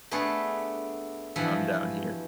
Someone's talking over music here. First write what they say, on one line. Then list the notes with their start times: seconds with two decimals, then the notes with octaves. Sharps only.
I'm down here.
0.11 A3 B3 D4 G#4 A4 B4
1.36 G2 B2 E3 F3 E5 F#5